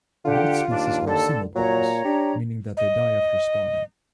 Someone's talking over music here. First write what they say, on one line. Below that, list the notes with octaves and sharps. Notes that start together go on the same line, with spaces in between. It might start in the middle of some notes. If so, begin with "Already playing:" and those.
Both species are semelparous, meaning that they die after spawning.
D3 F4 G4 F#5
D#2 D4
D3 A4
A#2 F#3 C#5 A#5
D4 G4
D#5